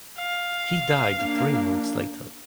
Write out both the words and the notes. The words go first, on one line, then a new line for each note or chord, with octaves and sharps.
He died three months later.
F5
A#3 D4